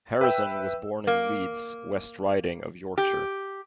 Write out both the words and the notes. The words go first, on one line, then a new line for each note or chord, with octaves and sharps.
Harrison was born in Leeds, West Riding of Yorkshire.
B4 E5 G5 E6
A#3
G4